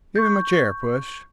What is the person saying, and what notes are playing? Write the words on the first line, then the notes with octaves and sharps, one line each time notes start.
"Give him a chair, Puss."
C#6 G6